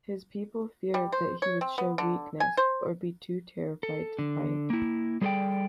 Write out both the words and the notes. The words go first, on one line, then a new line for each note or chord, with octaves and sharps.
His people feared that he would show weakness or be too terrified to fight.
G3
C5
C#5
C4
B3
D3
G#5
C5
A4
D3
A#3 E4
G3 G#4 A4 C5 D5 G5